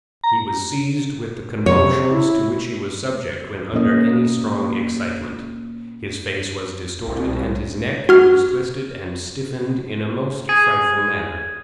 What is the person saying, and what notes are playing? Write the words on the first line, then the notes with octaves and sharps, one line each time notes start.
He was seized with the convulsions to which he was subject when under any strong excitement, his face was distorted, and his neck was twisted and stiffened in a most frightful manner.
A#5
C3 C#5
E4
A#2 A#3 C#4 D#5
C2
F#4 F6
G#4